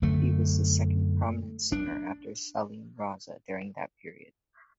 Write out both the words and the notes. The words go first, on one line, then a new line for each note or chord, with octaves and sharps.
He was the second prominent singer after Saleem Raza during that period.
F#2 D3 A3
D4